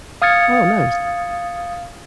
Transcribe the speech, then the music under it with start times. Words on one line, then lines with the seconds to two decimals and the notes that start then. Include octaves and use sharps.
Oh, nice.
0.22 F5 D#6 F6 G#6 A6 C#7